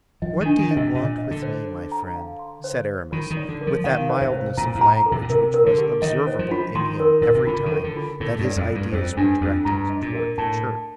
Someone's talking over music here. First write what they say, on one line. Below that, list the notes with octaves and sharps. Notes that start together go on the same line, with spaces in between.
"What do you want with me, my friend?" said Aramis, with that mildness of language which was observable in him every time that his ideas were directed toward the Church.
F3 D#5
D#3
D4
D#3
D#5
C3
A#2 D#5
D#5
D3
C5
C5
A#5
F5
C6
C5
C5
D#3 F4
D#3
D5
D3
A#4
F3
D#3 F5
C5
C3
C5
A#2 A#5
A2
A#5
A4
C3
A#2
C3 A#4
A#4
D3
G4
D#3 D#5
C5
F3
F4
D#3 C6
A#4
A#2 A#4
C3
D3 F4
D#3
A4
D3
F4
A2 A4
G2
D5
F2
A4
G2
F2 C5
G2 D4
F2 F4
G2 A#5
D#5
A#2
A#4
A2 A5
A5